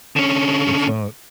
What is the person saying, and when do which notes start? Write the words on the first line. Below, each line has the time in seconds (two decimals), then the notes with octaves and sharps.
It's not,
0.16 D3 C#4